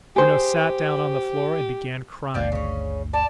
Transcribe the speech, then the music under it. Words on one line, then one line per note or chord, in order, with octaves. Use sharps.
Bruno sat down on the floor and began crying.
G4 G#4 C5
G#1 D2 G2 F3 D5 G5
C#3 C#4
D5 A5